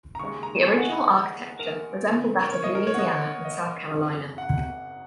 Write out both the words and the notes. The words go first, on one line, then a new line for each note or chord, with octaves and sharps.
The original architecture resembled that of Louisiana and South Carolina.
A#5
D#2 C#3 G#3 C#6
A#5
G#5
F#5
D#5
A#4
C#2 C#3 A#3
A#4
C#5
D#5
A#4
C#5
F#5
D#5
C#5
D#5
G#1 F#2 C#3
F#5